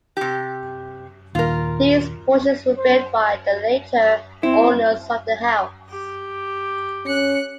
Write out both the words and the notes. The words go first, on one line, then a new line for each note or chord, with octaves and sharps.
These portions were built by the later owners of the house.
C3 G4
D#2 A#2 D#3 F4 A#4
C5
C4 E4
G4
C#4 F#6 C#7